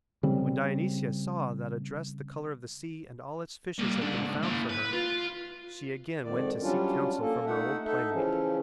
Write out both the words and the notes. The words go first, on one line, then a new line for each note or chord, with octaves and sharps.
When Dionysia saw that a dress the colour of the sea and all its fishes had been found for her she again went to seek counsel from her old playmate.
C#3 G3 C4
G3 A#3
C#3 D4
C#2 G#2
A#3 E4
B4
F4
F2 G#2 D#3 D5
F#3 G3 C#4 D4 F4
A#3 A4
A3 D#4 E5 F#5
D#4 A4 E5
C#3 E3 F3 C#4